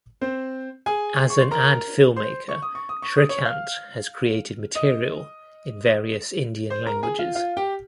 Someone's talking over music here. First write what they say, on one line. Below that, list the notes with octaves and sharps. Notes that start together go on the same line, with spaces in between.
As an ad filmmaker Srikant has created material in various Indian languages.
C4 C5
G#4 G#5
C#6
C6
A#4 A#5
C5 C6
C#6
D#6
C#6
D#6
C#6
D#6
C#5 C#6
F5 F6
D#5 D#6
C5 C6
A#4 A#5
G#4 G#5
F4 F5
F4 F5
G4 G5